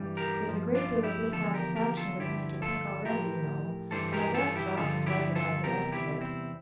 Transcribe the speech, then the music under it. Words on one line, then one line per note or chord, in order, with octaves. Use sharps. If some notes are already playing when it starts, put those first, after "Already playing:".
"There's a great deal of dissatisfaction with Mr. Peck already, you know, and I guess Ralph's right about the rest of it."
Already playing: G2 E3 G3
G4 A#4
G2 F3
D4 F4
E4 G4
E2 D3 F3 F4 A4
G4 A#4
G4 A#4
F4 A4
G2 D3 F3 E4 G4
F4 A4
A2 F3 G4 A#4
G2 E3 G3 A4 C5
G4 A#4
F4 A4
E4 G4
G2 D3 F3 F4 A4
E4 G4
F4 A4
E2 C3 G3 G4 A#4
E4 G4
C4 E4